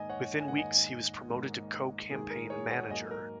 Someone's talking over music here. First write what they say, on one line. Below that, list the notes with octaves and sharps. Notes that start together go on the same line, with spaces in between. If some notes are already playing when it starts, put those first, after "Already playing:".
Within weeks he was promoted to co-campaign manager.
Already playing: G#2 D#3 A#3 D#5 G#5
C#5 F#5
G#5
G#2 D#3 A#3 F#5
D#5 G#5
G#2 D#3 A#3
G#2 D#3 A#3 G#4
A#4
G#4 C#5
C#5 F#5
G#2 F#3 A#3 D#5 G#5
A#4